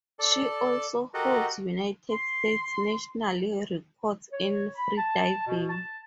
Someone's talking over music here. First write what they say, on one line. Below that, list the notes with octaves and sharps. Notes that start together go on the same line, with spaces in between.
She also holds United States national records in freediving.
A4 D5 A5
F#4 G4 A4 A#4 D#5 F#5
C6
C#5
B5
A5
B2
A5